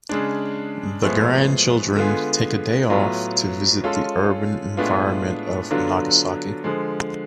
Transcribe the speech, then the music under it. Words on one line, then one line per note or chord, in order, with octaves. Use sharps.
The grandchildren take a day off to visit the urban environment of Nagasaki.
C#3 G#3 D4
A2 F3 G#3 B3
D3 G#3 B3 F4 G#4
A2 F#3 B3 F4
G#3 C#4 F4 A4
A2 G#3 B3 D4 F4
D3 F#3 B3 D4 F4
D3 F3 G#3